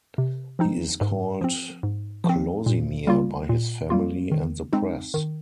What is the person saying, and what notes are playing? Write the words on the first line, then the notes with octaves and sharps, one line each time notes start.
He is called 'Clausimir' by his family and the press.
C3
F3 C4 D#4
G#2
F3 C4
G#2
F3 C4
A#2
G3 A#3 F4
A#2
G3 A#3 F4
D#3
G#3 C4 D#4
D#3